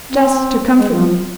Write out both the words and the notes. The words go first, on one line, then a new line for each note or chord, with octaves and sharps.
Just to comfort me.
C4
A#3
G#3
F3